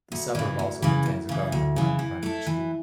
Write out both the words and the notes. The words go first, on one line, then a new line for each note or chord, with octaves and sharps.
The suburb also contains a government run primary school.
D2
C#3 E3
D2
C#3 E3
D2
C#3 E3
D2
C#3 E3
E3
A3 E4 A4
E3